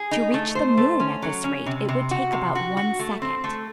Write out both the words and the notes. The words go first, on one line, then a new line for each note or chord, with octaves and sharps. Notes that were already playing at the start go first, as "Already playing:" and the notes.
To reach the moon at this rate it would take about one second.
Already playing: G#4
D#4
A3
C5
A3
C#4
F#3
C#4
C3
C3
F#4
C3
F#4
F#4
A3
C4
A3